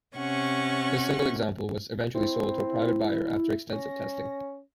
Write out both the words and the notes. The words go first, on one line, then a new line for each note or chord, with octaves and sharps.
This single example was eventually sold to a private buyer after extensive testing.
C3 C#4 F#5 C#6
C4 E4
C#4 A#6